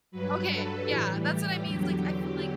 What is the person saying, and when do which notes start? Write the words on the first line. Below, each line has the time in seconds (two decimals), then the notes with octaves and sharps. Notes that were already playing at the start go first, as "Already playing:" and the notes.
Okay. Yeah, that's what I mean it's like, I feel like
0.11 G2 F#3 B4
0.49 A4
0.87 A2 E3 G3
1.26 G4
1.63 E2 D3 F#3 G4